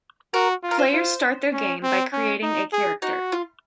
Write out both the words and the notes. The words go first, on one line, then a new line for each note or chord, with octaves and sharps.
Players start their game by creating a character.
F#4 A#4
F4
A#4
C5
F4
C#4
C4
C#4
D#4
G#4
D#4 F#4
F4